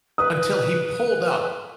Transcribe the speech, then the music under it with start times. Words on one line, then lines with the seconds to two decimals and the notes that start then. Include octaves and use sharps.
until he pulled up?
0.18 B4 D#6